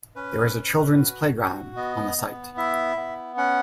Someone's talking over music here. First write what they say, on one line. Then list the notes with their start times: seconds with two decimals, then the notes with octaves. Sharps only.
There is a children's playground on the site.
0.15 C#4 B4
0.56 C#4
0.97 F#4
1.37 F#4
1.76 B3 D#5
2.17 B3
2.57 E4 E5
2.97 B3
3.37 C#4 F#5